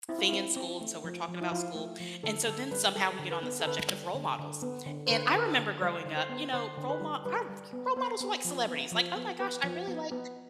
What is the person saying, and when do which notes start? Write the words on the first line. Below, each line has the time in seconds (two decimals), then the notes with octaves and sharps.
thing in school and so we're talking about school and so then somehow we get on the subject of role models and I remember growing up, you know, role mo our role models were, like, celebrities like, "Oh my gosh, I really like
0.09 C4 E4
0.19 F4
0.29 C4 E4
0.56 C4
0.81 A3
1.04 F3
1.28 F3
1.41 E4
1.52 F3 F4
1.75 A3
2.00 F3
2.23 D3 A4
2.48 D3 A4
2.71 G3 B4
2.95 G3 A4
3.19 D3
3.31 B4
3.43 B3
3.60 A4
3.67 D3 B4
3.91 G3
4.14 D3
4.39 D3
4.62 B3
4.86 D3
5.07 C5
5.10 D3 B4
5.34 D3 B4
5.46 A4
5.58 D3
5.82 G3 C5
6.06 D3
6.17 C5
6.30 B3
6.53 D3 C5
6.77 D3
6.89 B4
7.01 G3
7.25 G3 B4
7.49 G3
7.73 B3
7.96 B3 C5
8.21 B3
8.45 F3
8.68 B3
8.92 F3
9.16 B3
9.40 B3 B4
9.64 F3
9.88 B3
10.11 B3